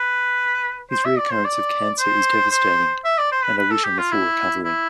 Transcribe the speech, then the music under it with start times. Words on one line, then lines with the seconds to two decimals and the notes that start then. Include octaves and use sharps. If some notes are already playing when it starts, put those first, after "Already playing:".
His reoccurrence of cancer is devastating and I wish him a full recovery.
Already playing: B4
0.91 C5
1.05 E5
1.18 D5
1.32 C5
1.45 D5
1.99 C5
2.51 C5
3.05 E5
3.18 D5
3.32 C5
3.44 B4
3.58 B4
3.71 A4
3.84 G4
3.98 F4
4.11 E4
4.64 E4